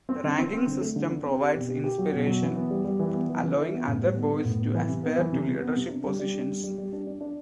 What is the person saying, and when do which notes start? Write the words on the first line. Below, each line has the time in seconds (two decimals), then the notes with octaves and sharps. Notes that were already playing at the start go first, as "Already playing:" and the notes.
The ranking system provides inspiration, allowing other boys to aspire to leadership positions.
0.09 C4
0.24 D3
0.38 C4
0.53 C4
0.67 D3
0.81 A3
0.96 D3
1.11 C4
1.25 C4
1.40 G4
1.54 B2
1.68 G4
1.84 G4
1.98 F#3
2.12 B2
2.27 F#3
2.42 E3
2.56 B3
2.70 G3
2.85 G3
2.99 E3
3.14 B3
3.29 E3
3.44 E3
3.57 E4
3.72 B3
3.87 A2
4.02 G3
4.15 B3
4.31 B3
4.45 A2
4.59 B3
4.75 E3
4.89 C3
5.03 B3
5.18 E3
5.33 C3
5.47 C3
5.61 B3
5.76 C3
5.90 D4
6.05 G3
6.19 G3
6.35 D4
6.48 G3
6.64 G3
6.78 G3
6.93 D4
7.07 D4
7.21 D4